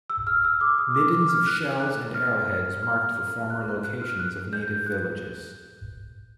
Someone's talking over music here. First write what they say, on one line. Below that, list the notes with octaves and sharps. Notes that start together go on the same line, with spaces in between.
Middens of shells and arrowheads marked the former locations of native villages.
E6
F6
E6
D6
D#6
D6
D6
F6
F#6
F#6
F6
F6
F#6
F#6
F#6
F6
F#6
G6
F#6